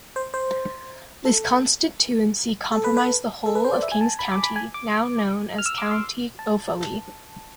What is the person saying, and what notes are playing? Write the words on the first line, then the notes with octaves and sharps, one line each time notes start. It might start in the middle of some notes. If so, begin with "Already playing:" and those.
This constituency comprised the whole of King's County now known as County Offaly.
C5
C5
A4
A4
B4
B4
A4
B4
C5
D5
E5
G#5
A5
B5
D6
B5
G#5
D6
F6
E6
D6
C6
A5